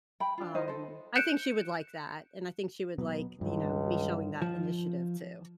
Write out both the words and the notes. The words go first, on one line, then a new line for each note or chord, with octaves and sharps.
um, I think she would like that, and I think she would like, you know, me showing that initiative too,
G5 B5
D4 F4
D#4 E4 C5 D#5
A4 C5
F#6 G6 C#7 D7 E7
B2 F#3 B3
C#2 G2 D#3 F#3
F3